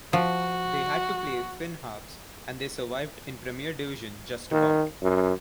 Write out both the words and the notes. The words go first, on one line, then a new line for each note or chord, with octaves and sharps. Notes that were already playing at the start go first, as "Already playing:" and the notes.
They had to play Finn Harps and they survived in Premier Division just about.
F3 F#4
D#3
F#2